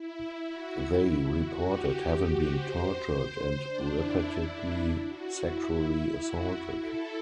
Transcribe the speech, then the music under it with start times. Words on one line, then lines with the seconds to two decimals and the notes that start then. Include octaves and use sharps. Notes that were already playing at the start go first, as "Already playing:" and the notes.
They reported having been tortured and repeatedly sexually assaulted.
Already playing: E4
0.49 F#4
0.78 E4
1.36 F#4
1.64 G4
2.21 F#4
2.51 C5
2.79 C5
3.65 D4
3.93 E4
4.51 D4
5.08 F#4
5.37 E4
5.66 E4
6.23 F#4
6.52 E4
6.80 A4